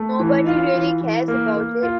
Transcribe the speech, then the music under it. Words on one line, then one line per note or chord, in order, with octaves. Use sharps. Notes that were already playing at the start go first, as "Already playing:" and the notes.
Nobody really cares about it.
Already playing: A3
E3
F4
E3
E3
A#3
A#3
F4